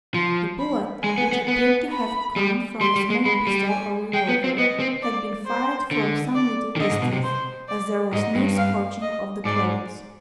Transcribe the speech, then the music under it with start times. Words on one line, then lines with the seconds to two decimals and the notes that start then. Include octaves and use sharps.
The bullet, which appeared to have come from a small pistol or revolver, had been fired from some little distance, as there was no scorching of the clothes.
0.14 F3 C6
0.59 B5
1.04 G#3 G#5
1.18 B3
1.32 B3
1.48 B3
1.92 B5
2.36 G3
2.81 G3 C6
2.96 G3
3.10 G#3
3.25 G#3 B5
3.47 G3
3.69 G#5
4.13 G#3 G5
4.29 B3
4.44 C4
4.58 B3 D#5
4.80 C4
5.03 D5
5.46 C5
5.91 D3
6.35 D5
6.76 D#3
6.80 D3 D#5
6.91 G#2
7.02 B2
7.12 C3
7.24 C5
7.68 D5
8.13 G#2 D#5
8.35 G2
8.57 F5
9.02 D#5
9.45 G#2 D5